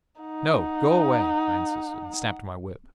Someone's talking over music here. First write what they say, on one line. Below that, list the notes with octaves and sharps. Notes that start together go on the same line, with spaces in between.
"No; go away," I insisted, and snapped my whip.
D#4 F#5